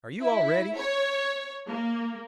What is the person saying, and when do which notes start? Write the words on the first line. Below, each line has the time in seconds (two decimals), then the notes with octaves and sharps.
Are you all ready?
0.22 E4
0.76 C#5
1.68 A#3